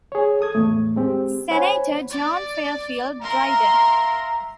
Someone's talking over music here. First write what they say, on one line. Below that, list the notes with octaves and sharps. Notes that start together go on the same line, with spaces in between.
Senator John Fairfield Dryden.
G#4 C#5
A4 D#6 G#6
E2 A2 A3
G#3 C4 G4
C5 C#5 F#5 G#5 B5
D5
A#4 E5 F5 A#5 C6